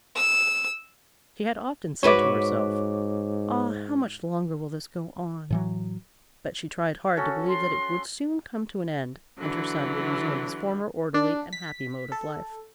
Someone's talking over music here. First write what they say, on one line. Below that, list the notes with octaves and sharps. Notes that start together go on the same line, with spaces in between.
She had often said to herself, "Ah! how much longer will this go on?" but she tried hard to believe that it would soon come to an end, and her son would resume his former orderly and happy mode of life.
E6
G#2 F#4 B4 C#5 E5 D6
A2 E3 F#3
C#4 F#4 A4
C6
D3 E3 F#3
D4
B6
A4